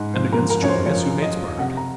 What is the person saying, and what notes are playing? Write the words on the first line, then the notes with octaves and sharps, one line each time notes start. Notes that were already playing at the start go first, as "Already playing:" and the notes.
And against Julius, who hates Bernard.
Already playing: G#2
F3 C5
A#4
F3
A#4
F#2 C#5
C5
F3 C#5
F#2
D#5
F3
C3 F#5
A#5